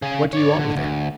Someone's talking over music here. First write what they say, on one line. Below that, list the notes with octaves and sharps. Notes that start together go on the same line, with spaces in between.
"What do you want with him?"
C#3 G#4
C#5 D5
D3
D2